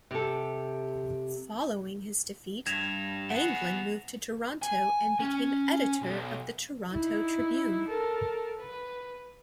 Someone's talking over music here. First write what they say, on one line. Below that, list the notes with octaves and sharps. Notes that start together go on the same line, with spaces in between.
Following his defeat, Anglin moved to Toronto and became editor of the "Toronto Tribune".
C3 A4
G2 G#6 A#6 E7 F7
B3 G#4 F#5
G#5
C#4
B1
D#4 E4
A4 A#4
B4